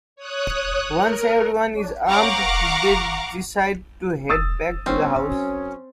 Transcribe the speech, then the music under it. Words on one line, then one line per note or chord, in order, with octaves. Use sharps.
Once everyone is armed, they decide to head back to the house.
C#5 D#6 F#6
A#4
F5 F#5 A#5 C#6 D6
D#6 E6 A6
G1 C4 C#4
F#2